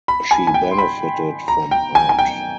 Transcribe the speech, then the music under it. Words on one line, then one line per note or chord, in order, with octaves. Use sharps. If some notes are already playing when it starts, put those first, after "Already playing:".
She benefited from Art.
B5
G#5
G#5
G5
C6
B5
A#5
G5
G#5
G#5
G5